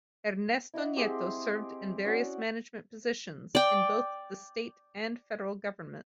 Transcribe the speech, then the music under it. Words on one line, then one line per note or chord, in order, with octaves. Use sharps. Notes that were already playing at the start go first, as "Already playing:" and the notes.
Ernesto Nieto served in various management positions in both the state and federal government.
E4 D#5 F#5
C4 G4 G#4 C6
C#4 F#4 D5
D5 G5